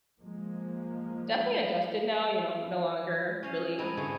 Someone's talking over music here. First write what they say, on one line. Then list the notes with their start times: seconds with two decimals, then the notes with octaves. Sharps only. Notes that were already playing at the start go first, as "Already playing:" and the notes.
definitely adjusted now, you know, I'm no longer really
0.20 F3 G#3 A#3
3.43 C#4 F5 G#5
3.78 C4 D#4 A4 B4 G#5 A#5
3.97 G#2 D3 A3 D#4 G#4 C#5